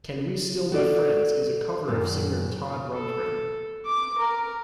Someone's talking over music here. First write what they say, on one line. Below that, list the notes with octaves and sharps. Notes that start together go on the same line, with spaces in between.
"Can We Still Be Friends" is a cover of singer Todd Rundgren.
F#4 A4 D5
F#2 A#2 D#3
A4
D6
A#4